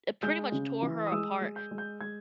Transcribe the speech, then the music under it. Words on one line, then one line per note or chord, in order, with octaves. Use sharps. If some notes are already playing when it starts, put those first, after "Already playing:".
it pretty much tore her apart.
G#3 G6
C#3
E3
D#6
G#3 E6
G#3
G6
G#3
G6
G#3 G#6